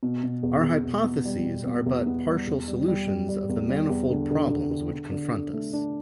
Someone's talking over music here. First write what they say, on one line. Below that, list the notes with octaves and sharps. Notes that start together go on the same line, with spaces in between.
Our hypotheses are but partial solutions of the manifold problems which confront us.
B2
B2
E2
E2
B2
B3
G3
B2
B2
E2
B3
G3
E2
G3
G3
G3
G3
E2
G3
E2
D3
D3
D3
D3
D3
D3
D3
A3
D4